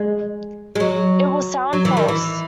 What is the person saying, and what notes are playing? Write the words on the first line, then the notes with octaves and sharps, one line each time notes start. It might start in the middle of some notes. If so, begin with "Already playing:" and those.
It will sound false.
Already playing: G#3
G#3
F#3
F#3
E3
D#3
E3